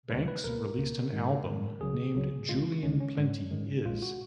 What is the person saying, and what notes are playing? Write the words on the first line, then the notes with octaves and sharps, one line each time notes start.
Banks released an album named Julian Plenti is...
D#2 C#3 G#3 B4
B4
C#2 B2 A#3 A#4
C#2 B2 A#3
G#2 D#3 G#3
G#2 D#3 G#3
C#2 C#3 F#3 G#4
C#2 C#3 F#3
C#2 C#3 G#3 F4
C#2 C#3 G#3 C#4
C#4
G#2 D#3 G#3
G#2 D#3 G#3
A#1 A#2 G#3 F4
F#4